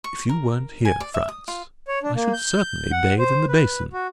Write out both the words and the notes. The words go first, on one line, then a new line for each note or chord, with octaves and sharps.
"If you weren't here, Frantz, I should certainly bathe in the basin."
C#6
A#4
G#5
D5
E5
D#6
F4
C#5
D4
A#3
G6
F#5
C5
B4
F#4